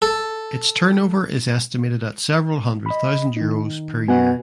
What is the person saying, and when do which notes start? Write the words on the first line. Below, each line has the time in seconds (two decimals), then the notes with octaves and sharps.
Its turnover is estimated at several hundred thousand euros per year.
0.02 A4
2.86 D#5 B5
3.37 D#3 D#4
4.08 B2 B4 F#5 G#5